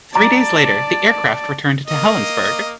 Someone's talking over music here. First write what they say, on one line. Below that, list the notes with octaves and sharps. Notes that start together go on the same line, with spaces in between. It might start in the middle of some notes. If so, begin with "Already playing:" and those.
Three days later, the aircraft returned to Helensburgh.
D5 A5 A#5 D6
A#3 D#5